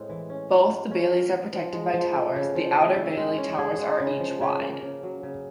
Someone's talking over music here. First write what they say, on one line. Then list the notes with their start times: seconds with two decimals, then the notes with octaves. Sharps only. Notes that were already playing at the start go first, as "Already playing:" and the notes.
Both the baileys are protected by towers; the outer bailey towers are each wide.
Already playing: A2 G#3 C4
0.09 E3
0.30 C#4
0.51 F4
0.70 G#3
0.91 C#4
1.11 A#4
1.33 B3
1.53 F3
1.73 G#3
1.94 F3
2.14 A3
2.36 C#3
2.55 F3
2.76 C#4
2.96 E4
3.17 G#3
3.38 C#4
3.59 G#4
3.79 G#3
4.00 C#3
4.20 F3
4.41 C#3
4.61 A#3
4.83 C#3
5.03 F#3
5.23 C#3